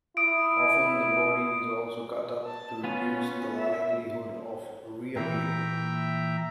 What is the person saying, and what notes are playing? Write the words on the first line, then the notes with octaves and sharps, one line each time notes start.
Often, the body is also cut up to reduce the likelihood of reappearing.
E4 D#6 D7
A5
B3 C#4 F4 G#5
E5
A#2 E3 E5 G5 A#5